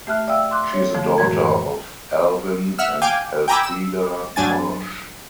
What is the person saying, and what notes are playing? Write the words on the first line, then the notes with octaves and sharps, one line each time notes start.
She is the daughter of Alvin and Elfrida Marsh.
A3 G4 E5 A5 F6 F#6
D5 E5 F5 G5 E6
C6 D6 F#6
C#5
F2 D3 F3 A3
F#2 A2 E3 G#3 F#4 G#6
E5 F#5 E6 F6
F5 G5 G#5 D6
G5 G#5 A#5 B5 D6 E6
E6
G2 F#3 D4 G#5 A6